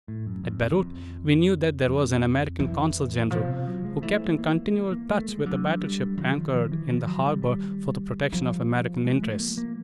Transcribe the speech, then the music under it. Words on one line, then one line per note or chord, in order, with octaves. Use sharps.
At Beirut we knew that there was an American Consul-General, who kept in continual touch with the battleship anchored in the harbor for the protection of American interests.
A2
F#2
F2
E2
F2
F2
E3
B2 F3
C3
F#3
G#3
E3 A3
A#3
A#3
A#3
A3
G#3
D3 F#3
G3
D#3 F#3
F3
F3
E3
F3
F#3
G3
G3
F3
G#3
A3
A#3
A#3